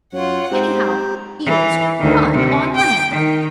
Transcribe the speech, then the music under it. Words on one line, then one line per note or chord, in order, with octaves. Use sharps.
"Anyhow, Eels run on land."
F#2 F4 C#5 F#5
G#2 C4 G4 C5 A#5 G6
E3
D2 D#3
C3
G5
D#3